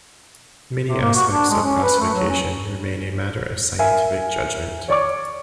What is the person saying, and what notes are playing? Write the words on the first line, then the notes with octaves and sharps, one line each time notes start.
Many aspects of classification remain a matter of scientific judgment.
C3
A#3
F#4
D4
G#3
C#4
B4
A3
F#3
C#4
A#4 E5 G#5
C#5 D5 C#6 D6